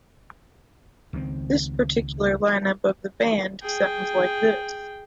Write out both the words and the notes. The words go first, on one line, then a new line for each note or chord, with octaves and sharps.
This particular lineup of the band sounded like this.
C#2 D#3 A3 C4
G#4 G5